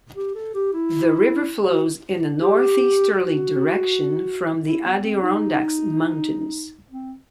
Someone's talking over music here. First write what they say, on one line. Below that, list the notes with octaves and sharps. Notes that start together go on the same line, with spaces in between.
The river flows in a northeasterly direction from the Adirondack Mountains.
G4
A4
G4
E4
F#4
G4
F#4
E4
B3
C4
D#4
C4